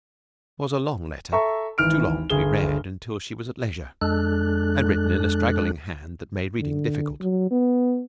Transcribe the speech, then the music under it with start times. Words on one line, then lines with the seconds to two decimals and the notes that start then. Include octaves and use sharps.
It was a long letter, too long to be read until she was at leisure, and written in a straggling hand that made reading difficult.
1.32 A4 E5 A#5 C#6
1.78 G#1 E3 F6 D7
2.30 G1 G#4 G7
4.01 F2 G#3 D4 A4 F#6
6.60 D3
7.21 F#3
7.51 B3